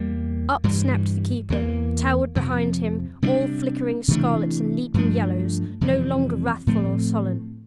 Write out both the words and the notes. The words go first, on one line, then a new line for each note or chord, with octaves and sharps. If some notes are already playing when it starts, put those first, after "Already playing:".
Up snapped the Keeper; towered behind him, all flickering scarlets and leaping yellows--no longer wrathful or sullen.
Already playing: E2 G3 A#3
G2 E3 G3
E2 E3 G3 A#3
F2 C3 F3
C3 G3 A#3 D4
C3 E3 A3 D4
G2 F3 A3 D4
F2 C3 E3 G3
A2 F3 A3 C4